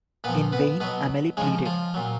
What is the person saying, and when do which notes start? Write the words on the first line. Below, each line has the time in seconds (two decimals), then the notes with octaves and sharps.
In vain Amelie pleaded.
0.24 A#2 B3 B4
0.28 F3
0.52 B3 B4
0.80 B2 F#3 B3 B4
1.37 C#3 F3 G#3 G#4
1.66 F3 F4
1.94 A#2 F#3